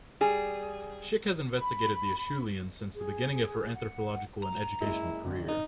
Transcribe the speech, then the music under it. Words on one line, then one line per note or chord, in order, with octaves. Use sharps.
Schick has investigated the acheulean since the beginning of her anthropological and educational career.
G3 G#4
B5
G#4
F#5
A#5
F#1 G#3 E4 D#5
G#1 F#2 D3
D#4